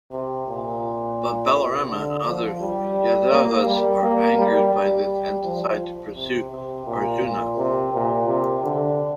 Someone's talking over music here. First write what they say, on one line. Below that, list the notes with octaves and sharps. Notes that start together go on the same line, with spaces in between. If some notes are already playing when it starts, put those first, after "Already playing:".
But Balarama and other Yadavas are angered by this and decide to pursue Arjuna.
C3
A#2
C3
D3
F3
G3
A#3
G3
A#3
G3
G3
F3
C3
C3
A#2
A#2
C3
A#2
C3
D3